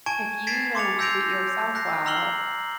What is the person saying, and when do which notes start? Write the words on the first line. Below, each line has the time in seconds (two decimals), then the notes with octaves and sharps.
if you don't treat yourself well,
0.06 G#5 A5 C#6 G#6 D7
0.47 G#6 A6 B6 C7 D7 E7
0.75 C6 D6 A6 C#7 F7
0.99 E6 G6 A#6 C7 D7 F7
1.75 F#6 A#6 C7
2.06 A#5 E6 F6 C7 F#7 G7